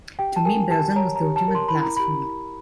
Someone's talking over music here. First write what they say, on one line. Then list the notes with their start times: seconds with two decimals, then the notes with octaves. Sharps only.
To me Belsen was the ultimate blasphemy.
0.19 G4 G5
0.36 A5
0.45 A#4 G#5
0.70 G4 A5
0.96 C#5 A#5
1.16 A#5
1.22 G4
1.36 A5
1.48 A#4
1.55 C6
1.68 B5
1.75 E4
1.83 A#5
1.97 G4 B5
2.25 E4